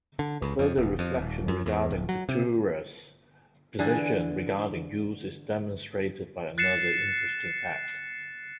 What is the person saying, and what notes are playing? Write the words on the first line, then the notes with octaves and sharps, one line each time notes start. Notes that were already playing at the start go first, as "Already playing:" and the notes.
A further reflection regarding Petliura's position regarding Jews is demonstrated by another interesting fact.
D3
C#2
F2
D#1
F2
D#1
F#2
E2
D1
F#3
C3
D3 E3 G#4
F#6 A6 C7 C#7 E7